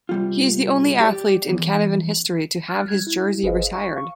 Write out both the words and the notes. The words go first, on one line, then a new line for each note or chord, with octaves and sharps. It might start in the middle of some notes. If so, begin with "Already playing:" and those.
He is the only athlete in Canevin history to have his jersey retired.
C3 G3 F4
G4 D5
E2
F6 F#6 A6
G3 G#6
E4
G1 G#4 B4 C5 D#5 F5
C#6
F5 C#6